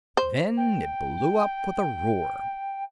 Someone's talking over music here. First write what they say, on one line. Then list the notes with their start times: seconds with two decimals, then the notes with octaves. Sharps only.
Then it blew up with a roar.
0.17 C5
0.57 G5